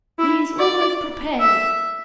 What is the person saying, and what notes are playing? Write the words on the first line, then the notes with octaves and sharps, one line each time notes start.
'He is always prepared!
E4
D5
E5